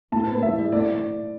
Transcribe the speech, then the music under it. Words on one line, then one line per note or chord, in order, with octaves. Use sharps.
"No; the letter."
A2 A5
A2
E5
E3
A3 D5